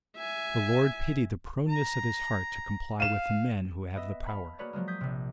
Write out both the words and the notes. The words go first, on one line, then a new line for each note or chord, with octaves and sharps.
The Lord pity the proneness of his heart to comply with the men who have the power . . .
E5 G#5
A#5
F5 D#7 E7
B3 D#5 E5
F5 A5 B5
A#3 F#4 G#4 B4 C#5 D5
F3 F#3 G#3 A#3
D#6 G6 G#6 B6
A#1 C3